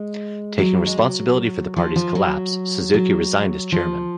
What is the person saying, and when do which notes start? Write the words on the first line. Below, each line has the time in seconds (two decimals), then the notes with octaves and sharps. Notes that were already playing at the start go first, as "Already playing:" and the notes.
Taking responsibility for the party's collapse, Suzuki resigned as chairman.
Already playing: G#3
0.58 F#3
0.86 G#3
0.98 F#3
1.76 F3
1.96 F3
2.15 F#3
2.94 F#3
3.72 F3